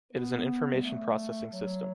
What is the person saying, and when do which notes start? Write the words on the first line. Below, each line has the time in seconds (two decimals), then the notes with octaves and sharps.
It is an information processing system.
0.13 B3
0.72 G3
0.83 A3
1.53 F#3